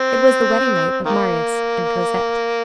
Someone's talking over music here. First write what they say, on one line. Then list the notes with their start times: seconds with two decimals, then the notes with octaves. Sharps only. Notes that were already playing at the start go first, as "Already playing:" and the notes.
It was the wedding night of Marius and Cosette.
Already playing: C4
1.05 D#3 A#3